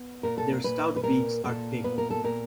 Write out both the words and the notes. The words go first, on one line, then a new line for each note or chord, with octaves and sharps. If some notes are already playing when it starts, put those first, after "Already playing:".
Their stout beaks are pink.
Already playing: B3
A#2 A#4
A4
A#4
A#2 B4
B4
A#2 A#4
A#2 A4
B3 B4
A#4
A4
A#2 A#4